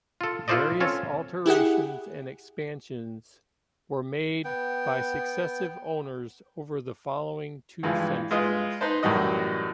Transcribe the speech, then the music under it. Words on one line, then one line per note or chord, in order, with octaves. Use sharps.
Various alterations and expansions were made by successive owners over the following two centuries.
F4 A4
E4 F4 A4 C5 D5 D#5
C4 C#4 F4 A4 C#5
E4 G4 G#4 F#5
B3 G5
G2 E3 F3 G#3
G#3 F4 B4 D#5
D#4 B4 C5 A5
F#2 A2 E3 G3 F#4 D#5